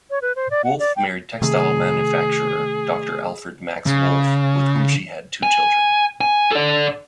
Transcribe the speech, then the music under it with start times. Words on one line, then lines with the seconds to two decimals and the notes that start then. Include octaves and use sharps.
Wolff married textile manufacturer Doctor Alfred Max Wolf with whom she had two children.
0.10 C#5
0.22 B4
0.36 C5
0.51 D5
0.64 F#5
0.79 D5
0.96 G5
1.42 C3 D#3 A3 G#4
3.86 C#3
5.43 G#5
6.21 G#5
6.51 A4 D5